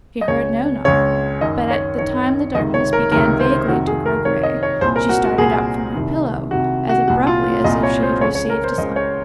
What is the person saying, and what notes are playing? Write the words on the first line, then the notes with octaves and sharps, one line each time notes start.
She heard no knock, but at the time the darkness began vaguely to grow grey she started up from her pillow as abruptly as if she had received a summons.
D#5
C#2 C#3 C#5
C#2 C#3 C#5
F#2 D#3 D#5
C#5
F#2 D#3 C#5
C#2 C3 D#3 D#5
C#5
A#4
C#2 C3 D#3 A#4
C5
F2 C3 D#3 F#4
G#4
A#4
F2 C3 D#3 C#5
D#5
C#5
C2 A#2 C5
A#4
F#4
F#4
C2 A#2 G#4
C2 C3 D#3
C2 C3 D#3 F#4
F#4
C2 A#2 F#4
F4
C2 A#2 D#5
C#5
C5
C#2 C#3 C#5
C#5
A#4
C5
C#2 C#3 D#5
C#5